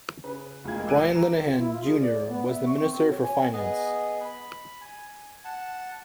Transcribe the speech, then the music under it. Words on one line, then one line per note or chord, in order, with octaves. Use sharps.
Brian Lenihan, Junior was the Minister for Finance.
C#3 B4
F1 G#3 A#3 F4 G#6
D6 E6 F#6 G#6 D7 D#7
A#5
F4
E4
F4
G#4
D5
B3
E5
C#6
C4
F#4
C#5
G#5
B3 G#4 D#5
B5
G#5
F#5 A5